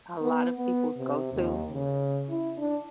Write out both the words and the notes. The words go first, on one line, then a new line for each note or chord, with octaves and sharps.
a lot of people's go-to.
B3
B3
C3
D#2
C#3
E4
D4